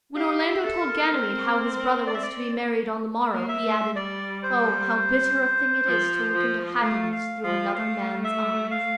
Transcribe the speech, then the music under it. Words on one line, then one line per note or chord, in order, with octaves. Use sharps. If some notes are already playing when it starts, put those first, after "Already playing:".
When Orlando told Ganymede how his brother was to be married on the morrow, he added: "Oh, how bitter a thing it is to look into happiness through another man's eyes."
G4 F5
E5
A4
A#4
C4
D5
E5
D5
A#3
E5
A3
G3 D5
C5
F3
F3
A3 F5
F5
F3 F5
A3 F5
E5
F5